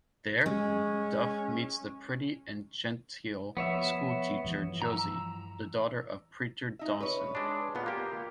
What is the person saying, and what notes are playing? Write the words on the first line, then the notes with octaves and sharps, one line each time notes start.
There, Duff meets the pretty and genteel schoolteacher Josie, the daughter of Preacher Dawson.
G#3 C#4
F3 B3 C#5 E5
G2 E3 F3
A#5 E6
D#4 E5
B4 C#5
G#3 D4
A#2 B3 F4
A#3 G4